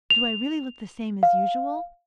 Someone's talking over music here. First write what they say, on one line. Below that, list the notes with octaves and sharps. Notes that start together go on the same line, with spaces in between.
Do I really look the same as usual?
F7
F5